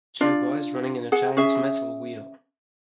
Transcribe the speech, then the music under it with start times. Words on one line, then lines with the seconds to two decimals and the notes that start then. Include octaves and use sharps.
Two boys running in a giant metal wheel.
0.21 D4 F4 D5
1.12 G#4 F#5
1.37 C#4 G#4 E5